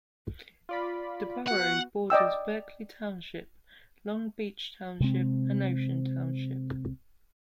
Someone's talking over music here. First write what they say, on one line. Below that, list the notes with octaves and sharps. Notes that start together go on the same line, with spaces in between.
The borough borders Berkeley Township, Long Beach Township and Ocean Township.
F4 D5 B5
B3 F#4 F#5
D5 D#5 G5 E6
C3 G#3 C4